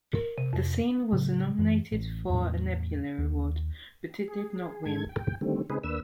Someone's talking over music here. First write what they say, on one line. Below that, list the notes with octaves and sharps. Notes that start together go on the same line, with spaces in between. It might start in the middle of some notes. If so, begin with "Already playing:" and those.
The scene was nominated for a Nebula Award, but it did not win.
A#4
C3
F2
A2 C#3 F#3
F#2 E3
A1
E2 A2
D#2
G#4
G#2 D#3 G#3 A4 G#6
G5
D3 D#3 G3 A3 C4
C#3 G#3 C4 D#4 G#4 B4
D#2 A#3 D4 B4 E6